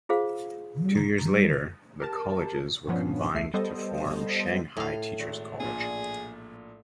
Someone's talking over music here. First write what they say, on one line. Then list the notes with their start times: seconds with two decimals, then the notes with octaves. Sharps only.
Two years later, the colleges were combined to form Shanghai Teachers College.
0.09 F4 G#4 C5 F5
2.00 G4 A#4 A5
2.87 G2 A#2 F3 B3 C#4 D4
3.34 C#2 A3 E5 C7
3.54 G3 B3 A4 C5 D#5
4.77 A2 F5
5.20 G#1
5.60 A#1 A#2 G#4